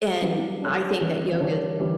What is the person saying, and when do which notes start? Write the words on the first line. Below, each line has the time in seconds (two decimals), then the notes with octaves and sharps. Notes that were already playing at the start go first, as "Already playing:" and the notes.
and I think that yoga
0.22 F#3 G3
0.62 D4 G4 C#5
1.01 E3 G3
1.40 D3 D4 G4 C#5
1.80 E3 G3